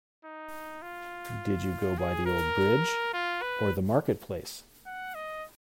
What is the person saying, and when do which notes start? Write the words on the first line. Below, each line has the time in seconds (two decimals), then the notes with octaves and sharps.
Did you go by the old bridge, or the market-place?
0.25 D#4
0.82 F4
1.98 G#4
2.26 A#4
3.13 F4
3.42 B4
4.86 F#5
5.15 D#5